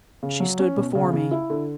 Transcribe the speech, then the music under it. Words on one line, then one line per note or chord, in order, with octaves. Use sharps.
She stood before me.
C#3
F#3
C#4
B2
C#3
C#3
E4
D3